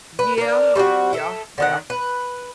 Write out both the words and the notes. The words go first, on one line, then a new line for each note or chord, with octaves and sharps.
Yeah. Yeah. Yeah.
B4
D4 A#4
G3 A3 C4 F#4
A4 E5
D3 D#3 F#5
B4